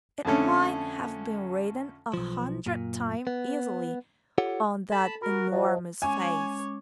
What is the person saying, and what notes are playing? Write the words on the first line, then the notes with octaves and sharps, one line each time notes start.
It might have been written a hundred times, easily, on that enormous face.
F2 D3 A3 C#4
B1 F3
F#2 A#2
B3
F4 G4 A4 C#5 F#5
A4 A5 B5
F#4 A#4 B5
F3 F#3 C5 D#5 A5
G#3 C#4 C#5 G#5 D6